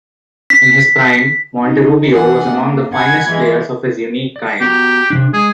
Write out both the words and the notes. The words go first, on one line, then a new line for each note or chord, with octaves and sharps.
In his prime, Monterrubio was among the finest players of his unique kind.
B6
D#4
E3 D4 F#5 G#5
A#3 D4
F#5 G#5 B5 G#6
E3 G#3
D5
B3 F#4 G4 A#5
C3 E3 D4
G#3 G#4